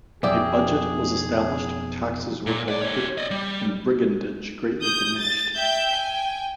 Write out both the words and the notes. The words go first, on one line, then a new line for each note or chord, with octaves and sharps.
A budget was established, taxes were collected, and brigandage greatly diminished.
B1 F2 G4 G#4 D5 E5
A#2
B4 D5
A#3 C#5
D5 D#5
G3
D#6 G6
A6
E5 G5 G6
G5 G#5